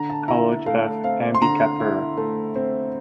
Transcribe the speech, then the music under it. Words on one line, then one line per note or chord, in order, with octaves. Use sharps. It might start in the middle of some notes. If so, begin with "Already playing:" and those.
College of Ambikapur.
Already playing: D3 A#5
A5
E4 A#5
A3 F5
C4 F5
C6
D3 A#5
E4
A3
C4